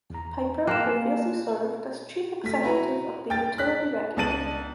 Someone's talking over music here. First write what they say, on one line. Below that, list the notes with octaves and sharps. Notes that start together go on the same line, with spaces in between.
Pyper previously served as Chief Executive of the Utility Regulator.
E2 A#5
A#3 G5 A5 C6 F#6 E7
F5 G#5 A5
A3 B6
E4 F#4 B4 A#5
G5 A6
F#6 B6
C#2 B3 A5 A6 D#7 F#7